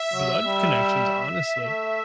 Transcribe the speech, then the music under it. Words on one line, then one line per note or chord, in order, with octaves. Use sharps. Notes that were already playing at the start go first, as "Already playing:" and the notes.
blood connections, honestly.
Already playing: E5
F#3
G3
A3